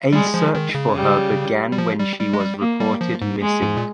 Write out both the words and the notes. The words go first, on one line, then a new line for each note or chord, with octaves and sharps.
A search for her began when she was reported missing.
G3 G#3
F3
D#3
C#3
G3
G3
F3
G3
G3
G#3
G3
A#3
G3
F3
G#2
G#3
G#2
A#2